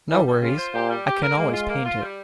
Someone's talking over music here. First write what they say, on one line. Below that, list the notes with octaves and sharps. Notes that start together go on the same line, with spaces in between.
No worries, I can always paint it.
E3 G3
G3
C#3 F4
C5
A#2 G4
G3
G4
A#4
G#3 A#3
F4
A#3
F4
G3